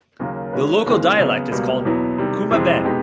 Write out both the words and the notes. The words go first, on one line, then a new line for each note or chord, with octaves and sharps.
The local dialect is called Kuma-ben.
D#2 C#3 F#3 A#3
D#3 G#3 C#4 F#4 B4
D#2 C#3 E3 G#3 C4
C#3 F#3 B3
C#2 B2 G3 A#3
E2 B2 F#3 B3 E4
C3 D#3 G3
F2 C3 E3 G#3 C4
B2 G#3 B3 D#4 G4